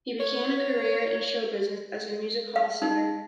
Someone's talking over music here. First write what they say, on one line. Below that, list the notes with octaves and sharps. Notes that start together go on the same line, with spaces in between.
He began a career in show business as a music-hall singer.
C#5
F5
D#4